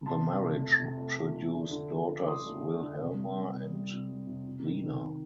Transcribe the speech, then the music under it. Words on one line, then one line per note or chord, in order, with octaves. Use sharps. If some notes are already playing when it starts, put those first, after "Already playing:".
The marriage produced daughters Wilhelma and Lina.
C3 A5 C6
C3
C3
A3
C3
A3
F3
A3
D3
D3
F3
D3
D6
D3 C6 D#6
A3
A3
D3
C3
G3
G3
C3
G3
C3
G3
C3
C3
D#3
D#3
C3